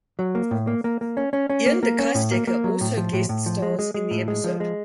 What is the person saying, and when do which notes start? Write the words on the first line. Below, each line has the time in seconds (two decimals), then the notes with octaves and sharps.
Iain De Caestecker also guest stars in the episode.
0.19 F#3
0.35 A#3
0.51 A2
0.67 A#3
0.84 A#3
1.01 A#3
1.17 C#4
1.33 C#4
1.50 C#4
1.66 A#3
1.83 A#3
1.99 C#4
2.15 A2
2.31 A#3
2.47 A#3
2.64 F#3
2.81 A2
2.97 F3
3.13 A2
3.29 A2
3.46 F3
3.62 G#3
3.79 G#3
3.94 G#3
4.11 A2
4.28 G#3
4.44 F3
4.60 G#3